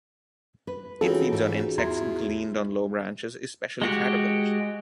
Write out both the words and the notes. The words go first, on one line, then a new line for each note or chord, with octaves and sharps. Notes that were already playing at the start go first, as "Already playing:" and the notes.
It feeds on insects gleaned on low branches, especially caterpillars.
B4
E3 C4 C#4 D#4 F4 F#4 G#4 A4
G#2
E2 E4 A#5 C6 G#6
G#3 F#4 G4